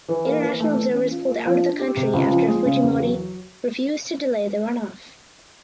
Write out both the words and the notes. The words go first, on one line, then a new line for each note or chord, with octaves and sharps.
International observers pulled out of the country after Fujimori refused to delay the runoff.
E3
A#3
E3
A3
E3
C#4
F4
A#3
F3
D4
G4
C3
C#2
F3
G#3
C#3
E2
F#3